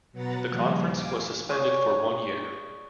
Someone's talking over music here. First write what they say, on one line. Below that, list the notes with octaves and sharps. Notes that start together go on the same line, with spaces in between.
The Conference was suspended for one year.
B2 F#3 B4 F#5 A#5 A6
D#2 A#2 C#3 F3 G3
F5 G#5 D6
G#4 C#5 D5